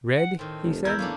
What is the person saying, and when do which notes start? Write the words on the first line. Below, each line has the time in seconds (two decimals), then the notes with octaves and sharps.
"Read?" he said.
0.16 F#5
0.39 A2 D#3 C4
0.62 F1
0.85 E2 E4 A#4 E6 G6 G#6
0.99 A3 A#3 C#4 D4